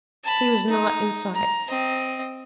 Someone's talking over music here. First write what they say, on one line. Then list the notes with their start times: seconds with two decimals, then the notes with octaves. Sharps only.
He was not in sight.
0.24 A5 B5
0.69 D#4
1.34 A#5
1.68 C4 D#5